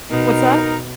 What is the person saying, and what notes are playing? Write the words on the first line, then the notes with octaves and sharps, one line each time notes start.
What's that?
B2 D#4 A#4